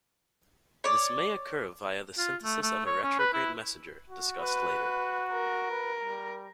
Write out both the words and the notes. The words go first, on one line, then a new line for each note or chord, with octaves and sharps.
This may occur via the synthesis of a retrograde messenger, discussed later.
C#5 D5
F4
A3
A3
C#5
C#4
B4
E4
F#4
B4
A#4
B4
G3